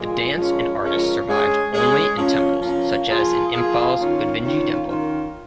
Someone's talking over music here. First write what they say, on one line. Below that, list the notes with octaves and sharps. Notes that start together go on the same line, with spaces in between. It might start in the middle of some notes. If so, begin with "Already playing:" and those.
The dance and artists survived only in temples, such as in Imphal's Govindji temple.
Already playing: A#2 F3 G#3 F4 G#4
F3 G#3 C#4 F4 A#4
F3 G#3 C#4 F4 A#4
G#3 C#4 G#4
G#3 C#4 G#4
F3 A#3 C#4
F3 A#3 C#4
F3 A#3 F4 G#4
F3 A#3 F4 G#4
D#3 A#3 C#4 F4
D#3 A#3 C#4 F4
D#3 C#4 F4 A#4